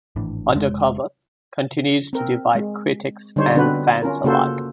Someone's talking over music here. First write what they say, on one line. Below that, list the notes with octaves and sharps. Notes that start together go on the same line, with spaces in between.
"Undercover" continues to divide critics and fans alike.
G#1 A2 E3 D4
F1 G#3
C4 A#4
G#3
D3 G3 D#4 C5 C#5
D3 B3 C4 D4 F#4 B4
C#4 F4 A#4
C#3 A#3 F4 F#4 A4 C5